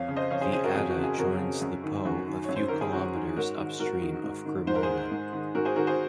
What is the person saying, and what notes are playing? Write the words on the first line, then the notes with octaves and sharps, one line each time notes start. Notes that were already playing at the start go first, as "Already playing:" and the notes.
The Adda joins the Po a few kilometres upstream of Cremona.
Already playing: F2 C#5 F5
C#3
C5 D#5
F2 C#5 F5
G#4 C5
C#3 G#4 C5
F#4 A#4
F2 G#4
F#4
C#3
G#4
F2 F#4 A#4
C#3
F#2
D#3
F#2 F#4
D#3
F#2 C#5
C5
D#3 A#4
G#4
F#2 F#4
D#3
G#2 F#4 A#4
D#3
G#2 F#4 A#4
D#3
G#2
D#3
G#2 C5
A#4
G#4 C5
D#3
G#2
D#3
G#2 F#4 A#4
G#4 C5
D#3 F#4 A#4
G#4 C5